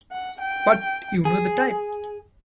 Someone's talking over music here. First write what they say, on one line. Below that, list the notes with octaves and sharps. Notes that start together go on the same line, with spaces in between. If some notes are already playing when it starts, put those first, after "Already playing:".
But you know the type.
F#5
G5
G#4